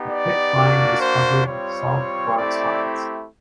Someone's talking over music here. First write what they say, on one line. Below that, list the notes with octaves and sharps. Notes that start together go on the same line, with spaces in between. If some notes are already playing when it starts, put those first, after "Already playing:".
The thick rind is covered with soft, broad spines.
Already playing: B3 D#4 G4
D5
A#3 D4 F#4
C5
G3 C4 F4 C#5
A3 C4 E4 G4 D5